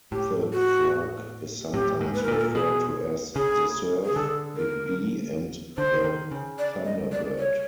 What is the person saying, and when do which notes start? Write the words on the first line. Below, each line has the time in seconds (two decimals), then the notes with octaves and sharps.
The Frug is sometimes referred to as the Surf, Big Bea, and the Thunderbird.
0.12 A2 G4
0.53 F#4
1.73 A2 G4
2.01 G#2
2.15 B4
2.23 A#4
2.28 A#2 A4
2.41 A#4
2.55 B2 G#4
3.36 C#3 G#4
4.05 G#4
4.16 D3 A4
4.56 A#4
5.77 D3 C5
6.04 D#3
6.31 C#3
6.59 D5
6.85 D#5
7.12 D5
7.39 C#5